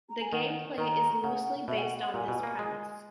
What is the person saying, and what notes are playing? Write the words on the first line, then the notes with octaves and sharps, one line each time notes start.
The gameplay is loosely based on this premise.
A#5
G#5
D#3 F#5
D#3 A#5
C#3 F#5
B2 E5
G#5
F#5
F#5
A#2 G#5
B2
A#3
G#3